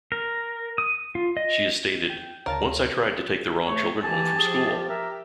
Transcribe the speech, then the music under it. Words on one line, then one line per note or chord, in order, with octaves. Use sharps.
She has stated, Once I tried to take the wrong children home from school!
A#4
D#6
F4
D#5
G5
D2 C#3 A#4 C#5 F5 A5
A3 C#5
E3 G4 G#5 A5
F3 G#4
A#4 E5